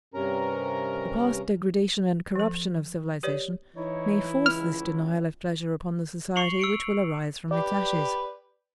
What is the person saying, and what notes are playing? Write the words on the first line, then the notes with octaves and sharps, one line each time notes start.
The past degradation and corruption of civilization may force this denial of pleasure upon the society which will arise from its ashes.
G2 C3 C#4 A#4 A#5
F3 A4
G4 B4 C#5 D5
E3 D#4 E4 C#5
C#2 F6
C#6 C7 C#7 F7 F#7
E6 C#7 D7
G4 B4 D5